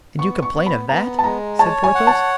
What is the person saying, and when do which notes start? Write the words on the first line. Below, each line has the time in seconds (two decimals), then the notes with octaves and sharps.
"And you complain of that!" said Porthos.
0.18 B3 C#6
0.42 C#6
0.54 B3
0.66 B5
0.89 B3 A#5
1.19 A5
1.24 G#3 A#5
1.59 C#5 A5
1.84 G#5
1.95 F#5
2.07 A5